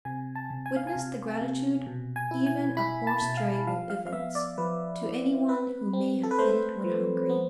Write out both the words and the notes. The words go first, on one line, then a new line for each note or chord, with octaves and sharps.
Witness the gratitude even a poor stray will evince, to any one who may have fed it when hungry.
C3 G#5
A5
C3
G#5
F5
G#5
C3
C3
B2
G#5
E4
G#5
E4 B5
A5
B2
F5
F3 F5
F5
F5
B3 E5
D5
F3 B4
E4
C4 B4
C4
A4
B4
A3 C5
F3
B3